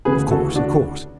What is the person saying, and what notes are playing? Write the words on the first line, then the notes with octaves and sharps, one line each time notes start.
'Of course, of course.
D2 C#3 E3 G#4 B4
F#4 A4
D4 F#4